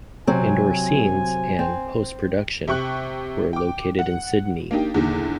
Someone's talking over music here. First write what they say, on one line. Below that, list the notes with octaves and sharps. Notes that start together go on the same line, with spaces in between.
Indoor scenes and post-production were located in Sydney.
C3 F#3 C4 G#5
C4
C3 G4 C#6 F#6
G5 D6
F#5
A#3 D4 D#4 G4
E2 A#2 D3 D#3